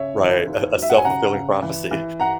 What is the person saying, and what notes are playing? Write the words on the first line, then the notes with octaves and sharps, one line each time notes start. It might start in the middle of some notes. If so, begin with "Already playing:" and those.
Right, a a self-fulfilling prophecy.
Already playing: C#3 C#5 E5
E3
D#2
F#3
E5
F#5
G#5
C#3 F#5 A#5
C#3
E3
E3
F#5 A#5